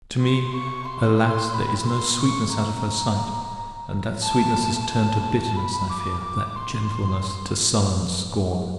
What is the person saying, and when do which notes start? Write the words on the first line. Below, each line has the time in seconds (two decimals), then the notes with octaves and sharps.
To me, alas! there is no sweetness out of her sight, and that sweetness has turned to bitterness, I fear; that gentleness to sullen scorn!
0.20 C6
0.54 C#6
0.87 C6
1.20 C6
1.53 B5
1.87 C6
2.21 C#6
2.55 A#5
4.23 A5
4.89 A5
5.23 A5
5.56 B5
5.89 D6
6.24 D6
6.56 C6